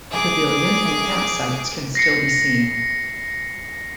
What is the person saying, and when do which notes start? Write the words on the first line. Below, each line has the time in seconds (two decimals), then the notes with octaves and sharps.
A pavilion and camp sites can still be seen.
0.11 G#4 D6
1.95 A#6 C7 C#7